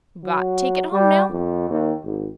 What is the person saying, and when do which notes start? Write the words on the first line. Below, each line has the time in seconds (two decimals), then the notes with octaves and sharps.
Got take it home now.
0.24 F#3
0.92 G3
1.29 F2
1.69 D#2
2.04 G#1